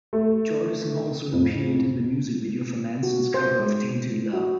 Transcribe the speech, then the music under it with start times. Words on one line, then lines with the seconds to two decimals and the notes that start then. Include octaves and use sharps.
Jordison also appeared in the music video for Manson's cover of Tainted Love.
0.13 A3
1.33 F2 A2
3.03 F#4
3.34 C5
3.60 G#3
4.33 F#4